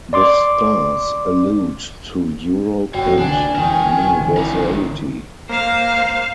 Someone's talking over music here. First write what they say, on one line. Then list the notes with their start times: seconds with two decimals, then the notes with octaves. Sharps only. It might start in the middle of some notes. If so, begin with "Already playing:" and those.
The stars allude to Europe and universality.
0.13 D5 C6 D6
2.94 F#1 F#4 C#5 G5
3.19 C2 D3 E3 D4 G#5
3.55 F1 A2 E3 A#4 G5
4.19 G#1 D3 E3
4.37 D4 E4 A#4
5.49 A#3 C5 F5